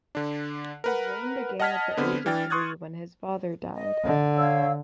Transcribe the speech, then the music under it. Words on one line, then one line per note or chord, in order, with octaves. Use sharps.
His reign began at the age of three, when his father died.
D3 D4
A#4 B4 F#5
D#5 F#5 A5 F6 G#6 B6
D3 B3 C4
E3 D4 G5 F6 A6
C6 C#6 D#6 F#6 G#6 A6
D#5
D3
C#5 F5 E6